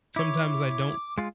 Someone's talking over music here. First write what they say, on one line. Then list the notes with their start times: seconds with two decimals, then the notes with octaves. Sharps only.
Sometimes I don't
0.16 E4 C#5 D6
1.18 G#3 F4